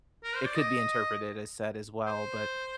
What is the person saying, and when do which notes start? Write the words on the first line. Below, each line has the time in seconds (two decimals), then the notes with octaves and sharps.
it could be interpreted as set as well. But,
0.24 A#4
0.35 C5
0.45 D5
0.55 D#5
2.07 C5